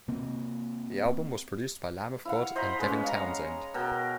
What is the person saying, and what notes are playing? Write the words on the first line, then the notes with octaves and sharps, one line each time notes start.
The album was produced by Lamb of God and Devin Townsend.
C3 A#3 C4
E4 F5 F#5
C5 D#5 A#5 B5
G#3 B3 C#4
F5 A#5
B2 A#4 G5